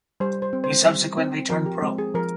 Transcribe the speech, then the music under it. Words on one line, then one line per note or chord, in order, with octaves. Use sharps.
He subsequently turned pro.
G3 C5
C5
C4
C5
G3
C4
F3 A#4
G4
G#3 C4
G#4
F3 A#4